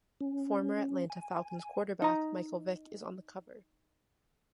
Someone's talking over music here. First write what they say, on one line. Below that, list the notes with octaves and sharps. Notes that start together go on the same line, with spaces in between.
Former Atlanta Falcons quarterback Michael Vick is on the cover.
C#4
G#5
D#4 A#5